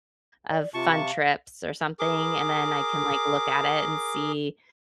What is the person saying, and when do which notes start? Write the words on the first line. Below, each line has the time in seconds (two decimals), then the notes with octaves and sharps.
of fun trips, or something, and then I can, like, look at it and see,
0.50 D5
0.74 C3 F4 A5 C#6
0.92 F5
1.99 G#4 A#4 D6